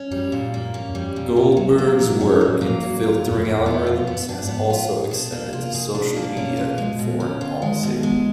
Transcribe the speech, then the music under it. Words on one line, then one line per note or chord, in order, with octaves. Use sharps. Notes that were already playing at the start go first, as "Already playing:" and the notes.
Goldberg's work in filtering algorithms has also extended to social media and foreign policy.
Already playing: C#4
F#2 G3
A#2
G2 A#3
C#4
E2
F2 G3
A#2
C#4
F#3
A#3
F#3
F#2 C#4
F#3
A2
A#2
A2 A#3
F#3
G2 F4
B3
F2
D4
E2
B3
F2 F4
B3
G2
D4
G#2
B3
A2 F4
G#4
B2 D4
A#3
C3 F4
G#4
B2 D4
A#3
B2 C#4
F4
B2
G#3
A#2
B2
D3 C#4
F4
D#3 G#3
B2
E3 G#3